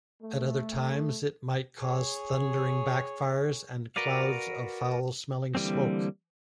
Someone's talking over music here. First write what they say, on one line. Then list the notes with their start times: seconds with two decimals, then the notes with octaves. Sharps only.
At other times it might cause thundering backfires and clouds of foul-smelling smoke.
0.22 A3
1.79 G#4 C#5
3.96 F#4 A#4 B4 D5 F5
5.55 D3 E3 G3 A#3 C4